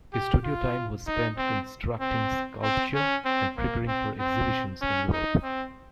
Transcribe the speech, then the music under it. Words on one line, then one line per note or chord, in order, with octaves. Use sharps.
His studio time was spent constructing sculpture and preparing for exhibitions in Europe.
G4
F4
D#4
C4
C4
C4
C#4
C4
A#3
C4
C4
C#4
D#4
C4